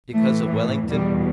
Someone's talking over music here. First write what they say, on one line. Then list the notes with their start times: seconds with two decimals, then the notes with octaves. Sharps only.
Because of Wellington?
0.13 A2 E3 A3
0.51 A3
0.89 E2 B2 G3